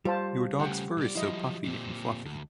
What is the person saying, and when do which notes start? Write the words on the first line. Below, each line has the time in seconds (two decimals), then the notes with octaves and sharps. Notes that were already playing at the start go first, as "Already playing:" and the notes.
Your dog’s fur is so puffy and fluffy.
0.05 G3 F4 C5 A5
0.59 C#3 A3 F#5 G5
0.97 B1 D5
1.15 F3 F#3 E4 D#5
1.64 A#2 C4
2.25 D2